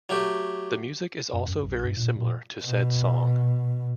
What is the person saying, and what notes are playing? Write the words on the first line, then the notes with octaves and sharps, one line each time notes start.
The music is also very similar to said song.
F#3 A3 G4
F#2
F#2
B1
G2
A#2
A#2
B2